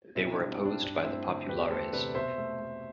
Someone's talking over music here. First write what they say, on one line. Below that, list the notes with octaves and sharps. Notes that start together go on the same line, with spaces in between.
They were opposed by the populares.
B2 C4 E4
D4
G3
C4
G3
D4
G2 D4
A3 C4 E4
D3
E2 G4 B4
A3 A4 C5
C3 B4 D5
B2 C5 E5
A3
A3